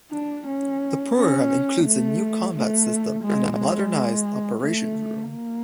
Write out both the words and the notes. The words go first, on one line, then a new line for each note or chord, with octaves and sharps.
The program includes a new combat system and a modernized operations room.
D4
C#4
C#4
A3
A3
G#3
G#3
A3
A#3